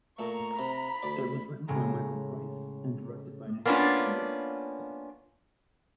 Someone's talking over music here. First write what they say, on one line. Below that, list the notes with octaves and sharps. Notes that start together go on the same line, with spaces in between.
It was written by Michael Price and directed by Nancy Kruse.
A#2 A3 A#5 C#6
C3 B5
D2 D5
A2 C#3 G#3 A#5
A#3 B3 C#4 D4 F4